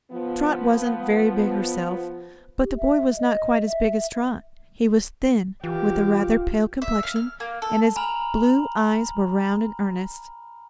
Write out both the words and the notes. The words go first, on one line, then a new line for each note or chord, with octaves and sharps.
Trot wasn't very big herself, but the boy was not quite as big as Trot. He was thin, with a rather pale complexion and his blue eyes were round and earnest.
F3 B3
G4
E5
D#5
E5
E3 F4 G4
E5
F5
F6
A#3
A4
G#5 A#5 B5 F6 F7 F#7